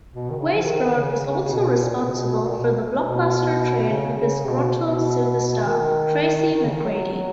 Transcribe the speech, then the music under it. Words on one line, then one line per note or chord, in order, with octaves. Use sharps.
Weisbrod was also responsible for the blockbuster trade of disgruntled superstar Tracy McGrady.
B2
D#3
C#3
F3
D#3
D#3
C#3
C#3
C#3
B2
A#2
C#3
B2
B2
A#2
B2
B2
C#3
C#3
B2
B2
D#3
D#3
C#3
D#3
F#3
F#3